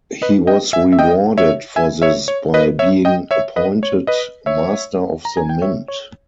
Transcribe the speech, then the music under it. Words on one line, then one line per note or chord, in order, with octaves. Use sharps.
He was rewarded for this by being appointed Master of the Mint.
B4 D#5
D#5 G5
E5 G#5
E5
D#5 G5
C#5 E5
E5 G#5
C#5 E5
C#5
B4 D#5
C#5 E5
D#5 G5
C#5 E5
B4 D#5
C#5
B4 D#5
C#5 E5
A#5
G#5
G5
C#5 E5
C#5